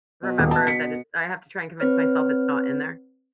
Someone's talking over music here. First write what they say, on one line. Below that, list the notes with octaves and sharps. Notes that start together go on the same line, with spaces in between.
remember that it I have to try and convince myself it's not in there.
B2
D#1
B2 A5
B6 C#7
C4 B4 C#5 F6